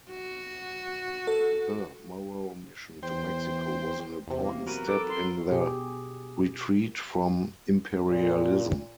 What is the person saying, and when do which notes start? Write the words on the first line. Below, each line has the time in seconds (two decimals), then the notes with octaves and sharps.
The Morrow Mission to Mexico was an "important step in the 'retreat from imperialism'".
0.10 F#4
1.27 A4
3.03 E2 C5 G5
4.27 E2 C3
4.41 A#3
4.67 F#3 F#4 A#4 B4
4.88 A4 D6
5.09 C6
5.50 B2 G4 G#4
8.04 A#2